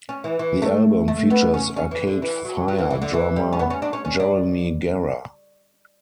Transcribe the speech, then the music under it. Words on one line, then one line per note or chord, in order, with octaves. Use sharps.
The album features Arcade Fire drummer Jeremy Gara.
C#4
E3
E3
A3
A3
B3
C#4
C#4
E3
D3
E3
F#3
F#3
E3
E3
D3
E3
G3
C#4
B3
C#4
D4
C#4
C#4
D4